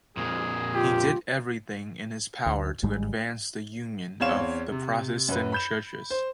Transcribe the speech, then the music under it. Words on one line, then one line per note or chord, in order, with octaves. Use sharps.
He did everything in his power to advance the union of the Protestant churches.
F2 A#2 G#4
F4 G4
D2
G#1 G#2 G3 G#3
E2 C4 C#5 F5 E7
C3
F#2 B4
B5 G6 E7
C5